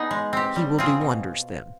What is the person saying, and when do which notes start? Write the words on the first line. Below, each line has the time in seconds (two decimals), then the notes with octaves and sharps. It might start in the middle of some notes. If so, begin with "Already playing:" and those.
"He will do wonders then."
Already playing: B3 D#4 G#4
0.11 G#3
0.33 C4 G4
0.56 G3
0.78 C4 F4 G#4
1.01 B2